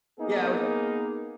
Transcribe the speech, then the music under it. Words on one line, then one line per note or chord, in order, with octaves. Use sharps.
Yeah, we
A#3 B3 D#4 G#4